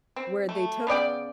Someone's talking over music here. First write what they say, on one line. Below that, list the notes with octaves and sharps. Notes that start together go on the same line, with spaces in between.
where they took
C4
A3
C#3 B3 D5 G5